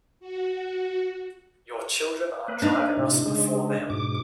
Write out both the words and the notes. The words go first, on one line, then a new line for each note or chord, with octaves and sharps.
Your children are driving us before them.
F#4
A#3 B4
D4 D#4
A2 C3
C#3 G#3
G#2 B2 D6